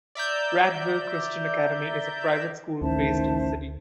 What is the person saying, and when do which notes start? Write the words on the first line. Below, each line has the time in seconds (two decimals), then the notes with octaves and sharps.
Prattville Christian Academy is a private school based in the city.
0.15 D5 E5 A#5 G6
2.82 A1 D2 D#3 C5 E5 A5